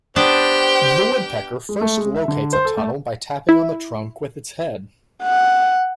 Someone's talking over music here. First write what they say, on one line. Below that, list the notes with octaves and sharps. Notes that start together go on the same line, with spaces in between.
The woodpecker first locates a tunnel by tapping on the trunk with its head.
B3 D4 G4 C5 G5 A5
G#3
A3
G#3
E5
D3
C5
A4
A3
E4
F#5